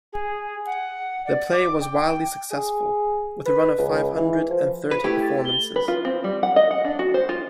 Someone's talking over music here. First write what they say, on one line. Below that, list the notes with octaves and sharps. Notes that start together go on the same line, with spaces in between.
The play was wildly successful, with a run of five hundred and thirty performances.
G#4
F#5
D5
D6
G5
G5
G#4
B4
C#2
E3
F3
B4
A3 E4 G4 G#6
A6
G7
B4
F4
C4
G3
F#5
D#5
F#5
D4
F#4
C5
F4